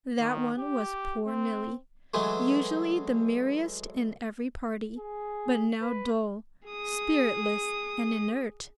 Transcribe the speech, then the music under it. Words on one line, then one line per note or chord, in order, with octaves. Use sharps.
That one was poor Milly, usually the merriest in every party, but now dull, spiritless, and inert.
D#3
G4
C4
E3 F#3 G#3 A3
G#4
B4
G#4 D#6